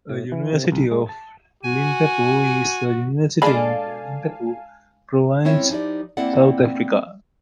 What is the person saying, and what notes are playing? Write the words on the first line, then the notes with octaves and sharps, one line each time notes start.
The University of Limpopo is a university in the Limpopo Province, South Africa.
A2
E3
C3
C2
G#3
A5
F#4 G#5
G#3 D4 A4 D5 F5 G#5 A5 B5
G#3 C4 C#4 E4 C#5 E5
F3 D#4 E4 G4 D5
A#3 C4 E4 A4 D5 F#5